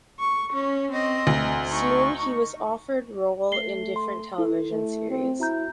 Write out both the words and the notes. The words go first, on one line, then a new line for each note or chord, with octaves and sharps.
Soon he was offered role in different television series.
C#6
C#4
C4 D#5
D2
D#4 C#6
A3 C7 G7
C6
E4 A4
A3
C4
E4 F#4 A#5 G6